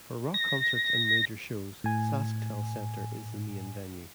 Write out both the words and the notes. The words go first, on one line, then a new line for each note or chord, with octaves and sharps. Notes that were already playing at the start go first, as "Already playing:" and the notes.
For rock concerts and major shows, SaskTel Centre is the main venue.
A#6
A2 G#5